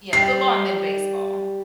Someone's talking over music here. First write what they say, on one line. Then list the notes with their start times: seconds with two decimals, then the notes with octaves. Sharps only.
yeah, football and then baseball.
0.13 G3 C7